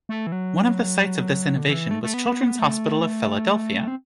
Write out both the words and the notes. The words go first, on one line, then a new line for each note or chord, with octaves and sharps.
One of the sites of this innovation was Children's Hospital of Philadelphia.
A3
E3
F#3
D3
E3
A3
A3
B3
A3
C4